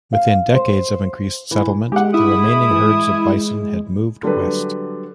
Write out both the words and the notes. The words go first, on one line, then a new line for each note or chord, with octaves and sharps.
Within decades of increased settlement, the remaining herds of bison had moved west.
F5
C5
E3
G#3 G4 F#5
E4 D#6
E3
D3 F#3 G3 A4 B4